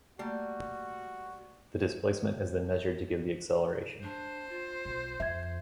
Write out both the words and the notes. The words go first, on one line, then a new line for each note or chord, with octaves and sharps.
The displacement is then measured to give the acceleration.
G3 A3 A#3 F#4
D4 C5
F4
B1
F2 E5 G#6